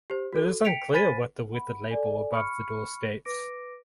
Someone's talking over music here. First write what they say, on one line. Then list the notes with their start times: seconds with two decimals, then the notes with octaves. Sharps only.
It is unclear what the weathered label above the door states.
0.10 G4 C5
0.33 F#4 A4
0.65 G5 B6 C#7 D7 F7
0.93 C5 G#5 B5 A6 B6 D#7
1.53 F#5 B5
1.91 A4 D5 G#5
2.32 B5 C#6 F6 C#7
3.25 B4 D6 A#6 D7